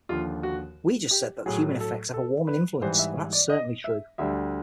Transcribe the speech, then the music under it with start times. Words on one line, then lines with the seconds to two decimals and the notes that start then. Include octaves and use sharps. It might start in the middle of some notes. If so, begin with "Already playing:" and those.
We just said that human effects have a warming influence, and that's certainly true.
0.09 D#2 D3 F3 F4
0.43 F#4
1.11 G4
1.46 A2 F#3 G#4
1.80 A4
2.14 A4
2.47 B4
2.81 G#2 E3 G3 C5
2.99 E5
3.33 D5
3.49 D#5
3.84 E5
4.18 D2 D3 G3 E5